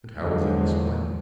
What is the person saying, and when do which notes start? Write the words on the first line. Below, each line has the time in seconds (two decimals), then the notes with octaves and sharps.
"And how is it explained?"
0.19 E2 D3 F3 F#3 G#3